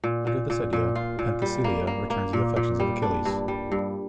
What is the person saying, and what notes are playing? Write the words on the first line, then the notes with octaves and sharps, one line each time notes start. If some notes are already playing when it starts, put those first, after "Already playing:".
Under this idea, Penthesilea returns the affections of Achilles.
A#2
A#2
A#2
A#2
F4
A#2
G3
A#3
A#3
A#3
A#2
A#2
G3
D4
G2
G3
G2